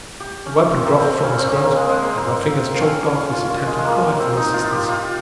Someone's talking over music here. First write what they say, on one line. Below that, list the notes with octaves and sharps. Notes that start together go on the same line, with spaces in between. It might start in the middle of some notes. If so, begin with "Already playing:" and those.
The weapon dropped from his grasp, and my fingers choked off his attempted cry for assistance.
G4
C#4
C4
A#3
C4
C4
C#4
C4
C4
A#3
G#3
G#3
A#3
C4
C#4
C#4
F4
F4
G#3
G#3
A#3
A#3
C4
D#4
F4
G4
F4